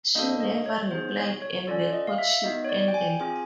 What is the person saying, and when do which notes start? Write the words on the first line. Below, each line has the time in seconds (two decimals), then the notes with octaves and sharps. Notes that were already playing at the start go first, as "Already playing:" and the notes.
She never replied and the courtship ended.
0.15 A#3 D4 F#4 A4 D#5
0.40 D#5
0.66 C#5
0.91 B3 D#4 G#4 C5
1.17 C#5
1.42 C#5
1.67 C#4 F4 A4 D5
1.93 D#5
2.07 F5
2.18 E5
2.44 B3 D#4 F#4 D#5
2.64 C#5
2.69 D5
2.88 G5
2.94 G#5
3.20 C4 F4 G#4 G#5